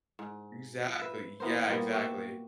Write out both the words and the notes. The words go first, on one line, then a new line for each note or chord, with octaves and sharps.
Exactly, yeah, exactly.
G#2
F3
B4 E5
E3 B3 A#4 C5
A#2 G3 A#3 B3
F#4 G4 E5